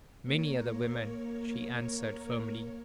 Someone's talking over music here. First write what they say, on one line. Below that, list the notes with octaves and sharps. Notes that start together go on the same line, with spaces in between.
"Many other women," she answered, firmly.
A#3 A#4 C#5